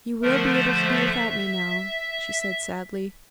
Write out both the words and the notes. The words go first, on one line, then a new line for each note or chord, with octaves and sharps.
"You will be able to do without me now," she said sadly.
D3 F3 A3 A#4
C5
E5